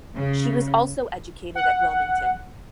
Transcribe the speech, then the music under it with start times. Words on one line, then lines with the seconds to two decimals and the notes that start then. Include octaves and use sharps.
She was also educated at Wilmington.
0.16 C#3
1.55 F#5